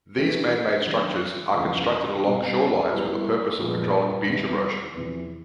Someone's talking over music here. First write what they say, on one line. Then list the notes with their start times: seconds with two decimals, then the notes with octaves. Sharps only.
These manmade structures are constructed along shorelines with the purpose of controlling beach erosion.
0.18 E3 A3 D4 G4 B4
0.86 D#3 F#3 B3 D4
1.55 E2 C#3 F3 A3
2.23 B2 G3 C4 D#4
2.91 G3 B3 E4 G4 A#4
3.59 A#2 F3 G#3 B3
4.27 C3 D#3 G3 B3
4.95 E2 C3 F3